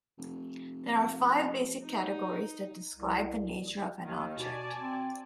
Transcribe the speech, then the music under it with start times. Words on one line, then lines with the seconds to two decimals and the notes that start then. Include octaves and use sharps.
There are five basic categories that describe the nature of an object.
0.18 F1
1.83 D#4
2.93 C2
4.05 D#2 D#3
4.38 B2 D5 G#5 A5
4.79 C4